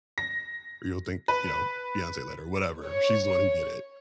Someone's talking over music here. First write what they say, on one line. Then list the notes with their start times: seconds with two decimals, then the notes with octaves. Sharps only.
or you'll thank, you know, Beyonce later, whatever. She's the one who did it.
0.18 A#6
1.28 B4
2.85 C#5